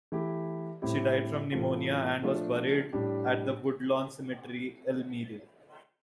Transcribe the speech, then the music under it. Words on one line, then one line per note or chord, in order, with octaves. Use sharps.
He died from pneumonia, and was buried at the Woodlawn Cemetery, Elmira.
E3 A3 E4 G4
A2 G3 C4 E4 G4
A2 E3 A3 C4 F4
F3 A3 D4 F4
A2 G3 D4 G4